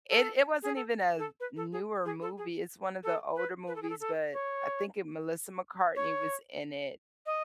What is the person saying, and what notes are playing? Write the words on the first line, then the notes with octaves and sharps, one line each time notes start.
It it wasn't even a newer movie, it's one of the older movies, but I think it Melissa McCartney was in it,
A4
G#4
A4
A4
B4
A4
G#4
G#4
A4
G#4
A4
B4
B4
A4
G#4
A4
A4
C#5
C#5
D#5